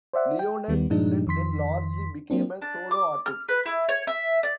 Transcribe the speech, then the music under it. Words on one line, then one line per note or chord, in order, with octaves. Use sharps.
Leonard Dillon then largely became a solo artist.
C5 D5 E5 F#5
G5
D#2 D#3 G3 B3
G2 A#2 F3 G#3 D4 D#4
F2 D#3 C6 B6
F#3 A#3 C4 D4
D4
D6
F6
B4
E4
C#5
E5
D5